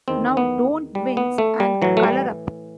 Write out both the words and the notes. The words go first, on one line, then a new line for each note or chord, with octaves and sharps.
Now, don’t wince, and colour up!
E2 D#3 C4
B3
G3
B3
A3
G3
A2 E3 F#3
A3
G3